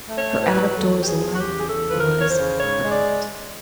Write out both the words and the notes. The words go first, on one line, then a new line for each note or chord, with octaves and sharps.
Her out-of-doors life was perfect.
A3
C#5
A2
C5
B4
F#3
E2 A4
F3 G4
G#4
E2
F#4
G4
C#3
G#4
E2 A4
F3 B4
A#4
E2
C#5
C5
C#3
G#2 C#5
G#3
D5